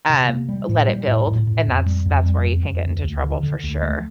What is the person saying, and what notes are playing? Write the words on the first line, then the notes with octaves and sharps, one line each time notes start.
Um, let it build, and that's that's where you can get into trouble for sure.
C3
A#3
G3
A2
G3
A2
A2
A2
F2
G3
F2
G3
F2
F2
D2
D2
D3
D3
D2
A3